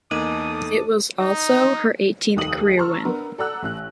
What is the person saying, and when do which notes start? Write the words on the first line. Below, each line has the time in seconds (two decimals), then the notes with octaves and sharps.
It was also her eighteenth career win.
0.11 E2 A#3 D#4 A4 D#5 D6 D#6 D#7
1.20 D#4
2.36 F1 D#2 G3 D#4 D#6 F#7
2.77 A5 A#5 C6 C#6 E6 F6
3.05 B3 D4 A#4
3.38 A4 D5 F#5 A#5 E6 F#6
3.63 A1 F#6